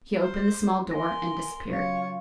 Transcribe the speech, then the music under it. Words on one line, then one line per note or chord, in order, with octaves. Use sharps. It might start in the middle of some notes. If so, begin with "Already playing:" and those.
He opened a small door and disappeared.
C5 F6
A#4 G#5 C6 A#6
C#3 F#3 F4 C#5